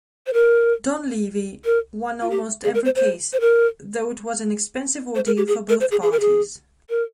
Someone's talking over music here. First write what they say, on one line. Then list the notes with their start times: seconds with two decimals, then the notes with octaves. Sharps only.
Donleavy won almost every case, though it was an expensive ordeal for both parties.
0.27 C5
0.33 A#4
1.65 A#4
2.21 F4
2.30 G4
2.64 G#4
2.74 A#4
2.85 C5
2.95 C5
3.33 C5
3.40 A#4
5.15 C5
5.26 A#4
5.37 G4
5.47 G#4
5.69 A#4
5.80 C5
5.91 G#4
6.02 G#4
6.12 A#4
6.20 G#4
6.90 A#4